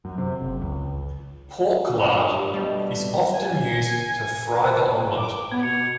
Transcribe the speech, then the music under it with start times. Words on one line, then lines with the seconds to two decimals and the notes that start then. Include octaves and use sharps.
Pork lard is often used to fry the omelette.
0.05 F#2
0.18 C3
0.40 F#1
0.61 C#2
1.87 G3 A3 D4
2.31 G4
2.54 B2 G3
3.34 G#5
5.17 D6
5.52 B3 G#6
5.63 B2 C#7 F7